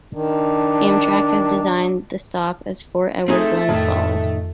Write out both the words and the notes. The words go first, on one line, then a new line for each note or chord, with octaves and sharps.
Amtrak has designated the stop as Fort Edward-Glens Falls.
D#3 D4
A3 C4 D#4 G#4
F2 A2 D#3